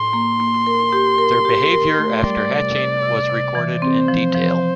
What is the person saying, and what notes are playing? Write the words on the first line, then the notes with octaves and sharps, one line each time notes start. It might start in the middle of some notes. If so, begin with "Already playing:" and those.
Their behaviour after hatching was recorded in detail.
Already playing: A2 C6
A#3
A#3
A#4
G4
A#4
G4
A#4
A3
G3 D5
C3
C3
C3
C3
E3
C4 C5
F3
F3